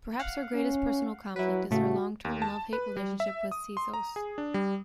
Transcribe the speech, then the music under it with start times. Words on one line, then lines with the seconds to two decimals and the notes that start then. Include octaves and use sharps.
Perhaps her greatest personal conflict is her long term love-hate relationship with Sethos.
0.19 F5 F#5
0.54 C#4
1.36 F#3 E4 B4
1.71 A2 C#3 A3 F#4
2.25 D#2
2.42 A5
2.73 B4
2.97 G3
3.20 E5
3.51 D#6
3.77 C6
3.94 A#5
4.16 G#4
4.38 D4
4.54 G3